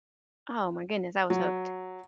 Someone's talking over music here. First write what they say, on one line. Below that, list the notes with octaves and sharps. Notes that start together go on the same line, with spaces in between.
oh my goodness, I was hooked.
F#3